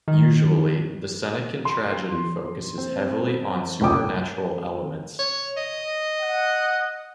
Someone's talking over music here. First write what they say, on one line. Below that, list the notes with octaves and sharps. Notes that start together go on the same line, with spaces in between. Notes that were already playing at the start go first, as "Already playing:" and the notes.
Usually, the Senecan tragedy focuses heavily on supernatural elements.
D#3
C6
C4
F1 C#2 C#4 G5 D6 D#6
C#5
D#5
F#5